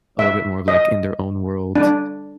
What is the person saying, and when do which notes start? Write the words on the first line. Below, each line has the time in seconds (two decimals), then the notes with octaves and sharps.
a little bit more of, like, in their own world,
0.19 E5
0.68 D#5
1.75 D4